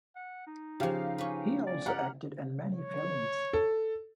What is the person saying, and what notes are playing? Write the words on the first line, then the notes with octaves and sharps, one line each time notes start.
He also acted in many films.
F#5
D#4
C#3 F3 G4 F5
C#4 B4
D5
G4 F#5 A#5 F6
C#5
A4